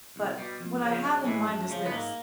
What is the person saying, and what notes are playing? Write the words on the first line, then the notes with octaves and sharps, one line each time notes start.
But what I have in mind is this.
C2
B2 G3
F2
C#3 F3
B1 G#3
A2 E3
F#2 A3
C#3 F3
B3
G#2 A#3